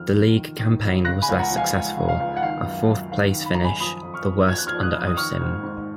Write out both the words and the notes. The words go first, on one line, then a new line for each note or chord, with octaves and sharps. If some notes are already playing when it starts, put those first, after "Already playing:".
The league campaign was less successful - a fourth-place finish, the worst under Osim.
Already playing: F2 D#3 F6
F2
D#3
D#3
F2
C#3 F#6 A#6
G#5 B5
C#2
F#5 A#5
F3
F5 G#5
C#2
C#3
F5
C#2
F#5
D#3 F5
F#2
F#2
D#3 F5
D#3
B5
F#2 A#5
G#5 B5
F3 B5 D#6
F2
C#6 F6
F2
F3 G#6
F#6
F3 F6 G#6
D#6 F#6
F2
D#6
D#3 C#6 F6
G#2
G#2